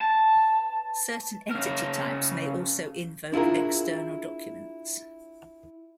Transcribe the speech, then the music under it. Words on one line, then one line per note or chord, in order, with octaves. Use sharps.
Certain entity types may also invoke external documents.
A5
C#3 A#4
D4 E4 F4 G#4 A#4